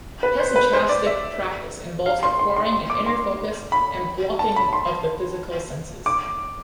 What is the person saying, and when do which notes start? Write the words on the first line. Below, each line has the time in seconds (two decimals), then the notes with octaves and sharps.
Hesychastic practice involves acquiring an inner focus and blocking of the physical senses.
0.23 B4
0.39 C5
0.56 B4
0.73 C5
0.89 D5
1.06 E5
2.06 F5
2.23 C6
2.39 C6
2.56 C6
2.73 C6
2.90 D6
3.06 C6
3.72 B5
4.39 A5
4.56 B5
4.73 C6
6.06 D6